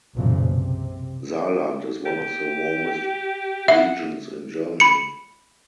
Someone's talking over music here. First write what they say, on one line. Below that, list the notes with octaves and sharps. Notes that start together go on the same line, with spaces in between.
Saarland is one of the warmest regions in Germany.
F#1 B1 A#2 C#3 E3 F3
C3
G4
E5 F#5
B5 C#7